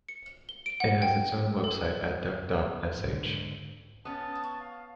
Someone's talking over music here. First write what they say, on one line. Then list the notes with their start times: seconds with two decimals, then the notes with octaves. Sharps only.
It has its own website at duck dot sh.
0.09 C#7
0.49 G7
0.66 D7
0.80 F#5
1.02 G5
1.64 A4
2.95 G#2 D3
4.05 B3 C#4 A5 D#6
4.44 C#6
4.60 F5